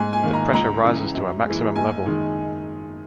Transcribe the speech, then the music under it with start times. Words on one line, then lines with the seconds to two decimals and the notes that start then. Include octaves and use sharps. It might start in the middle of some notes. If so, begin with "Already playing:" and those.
The pressure rises to a maximum level.
Already playing: G#2 G#5
0.13 G#5
0.24 D#3 A#3
0.33 A#5
0.53 C#2 A#5
0.84 C#3 E3
1.15 F#2
1.45 E3 G#3
1.76 F#1 G#5
2.06 D#3 G#3 D#4